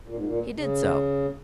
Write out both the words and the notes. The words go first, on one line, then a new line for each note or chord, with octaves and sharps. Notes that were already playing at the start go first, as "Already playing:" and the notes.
He did so.
A#2
G#2
A#2
C#3